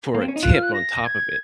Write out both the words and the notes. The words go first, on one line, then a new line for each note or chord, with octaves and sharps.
for a tip on top of it?
A#3
C4
C#4
D#4
F4 F#6
F6
F#6
A#6
G#6